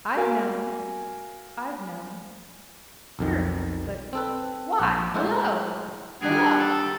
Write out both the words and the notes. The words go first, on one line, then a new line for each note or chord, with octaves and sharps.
I've known--I've known--curious, but--Why--Hello--hello!
F#4 A#4 F5 G#5
B1 F2 D#3
C4 A4 B4
A#1 F#5
G#3 A3 E4 C5 F#5
D#3 G3 D4 G#4 F#5
A4